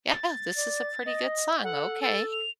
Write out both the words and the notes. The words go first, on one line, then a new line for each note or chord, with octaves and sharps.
yeah, this is a pretty good song. Okay,
A6
D5
D#5
A4 F#5
A4 A6
F7